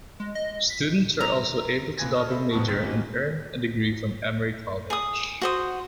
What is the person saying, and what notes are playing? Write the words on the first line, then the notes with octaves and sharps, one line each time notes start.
Students are also able to double major and earn a degree from Emory College.
G#3
D#5
B6
A#5
C#2 A#2 B4 G#5 G#6 A#6
D5 D#5 A5 D#6 F6
A4 C5 D#5 E5 B5
F2 G#2 B3 A5 C#6
D1 D#3 C5 A6 B6
G3 A#3 C#4 D#4 F#4
G#4 D#6
F#4 C5 D#6